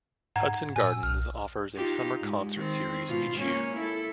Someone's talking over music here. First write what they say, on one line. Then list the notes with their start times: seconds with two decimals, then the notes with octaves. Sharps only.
Hudson Gardens offers a summer concert series each year.
0.36 G#2 F#5 A#5 G#6
0.76 A#2 G#5 E6
1.03 B1 F6
1.76 D#4 F4 G4
2.20 G#2
2.55 D#3 C4
3.08 G#2 B2 F4
3.37 A#3 C#4
3.76 E4 A4